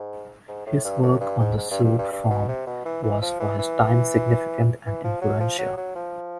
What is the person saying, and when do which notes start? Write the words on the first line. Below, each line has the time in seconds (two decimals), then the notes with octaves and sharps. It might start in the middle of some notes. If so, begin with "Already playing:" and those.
His work on the suite form was for his time significant and influential.
Already playing: G#2
0.48 G#2
0.66 A2
0.84 G2
1.02 F#2
1.21 G2
1.40 G#2
1.57 G#2
1.71 G2
1.84 G2
1.98 G2
2.12 G2
2.30 B2
2.48 C3
2.67 B2
2.85 E3
3.03 E3
3.22 F3
3.40 E3
3.59 E3
4.86 E3
5.04 F3
5.22 F#3
5.40 F3
5.58 F#3
5.77 F#3
5.95 F3